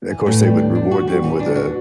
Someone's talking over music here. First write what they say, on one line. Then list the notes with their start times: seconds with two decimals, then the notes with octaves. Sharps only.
of course, they would reward them with a
0.10 E3
0.26 A2
0.43 G3
0.59 D4
0.75 D4
0.91 F#4
1.08 G3
1.24 E3
1.40 D4
1.56 F#4